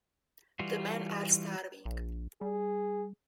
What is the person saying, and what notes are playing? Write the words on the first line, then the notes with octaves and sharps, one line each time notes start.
The men are starving.
E3 G3 F4 F#4
A#1
G3 G#4